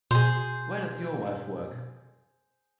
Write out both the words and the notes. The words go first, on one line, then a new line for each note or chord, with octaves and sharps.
Where does your wife work?
B2 G#4 C5